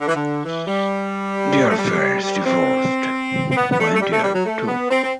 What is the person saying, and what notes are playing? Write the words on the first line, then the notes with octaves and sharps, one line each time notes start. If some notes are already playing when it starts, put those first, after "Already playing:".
Their parents divorced when they were two.
D3
E3
D3
E3
G3
A3
G3
G3
C4
C4
B3
B3
A3
A3
G3
A3
G3
F#3
A3
B3
C4
C4